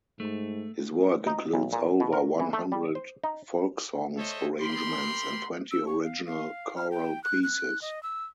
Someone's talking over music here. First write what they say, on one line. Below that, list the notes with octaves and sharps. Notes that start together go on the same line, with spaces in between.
His work includes over one hundred folk songs arrangements and twenty original choral pieces.
G#2 A3
D#4
B1
A#2
B2
A#4
E3
A3
G3
C5
D#4
A4 C5 C#5 D#5 E5
G4 A#4 B5 C6
E6
C#6
F5
F5
F6
G5
F#6
F#6
D#5
E6